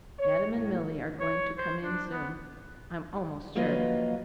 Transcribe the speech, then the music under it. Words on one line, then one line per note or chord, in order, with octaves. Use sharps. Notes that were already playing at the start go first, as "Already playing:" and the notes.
Adam and Milly are going to come in soon, I'm almost sure.
C#5
A2
C#5
C5
D4
B3
F3 F#3 A#3 F4 B4 D#5